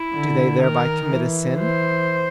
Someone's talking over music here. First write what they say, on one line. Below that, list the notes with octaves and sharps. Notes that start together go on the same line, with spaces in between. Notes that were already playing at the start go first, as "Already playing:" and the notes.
Do they thereby commit a sin?
Already playing: E4
D3
D#3 A#4
E3
C5